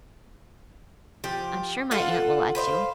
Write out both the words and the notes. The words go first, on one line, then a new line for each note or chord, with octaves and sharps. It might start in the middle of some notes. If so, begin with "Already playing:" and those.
"I'm sure my aunt will let you."
F3 G4
F4 A4 F#5
B4 C5 D5 F5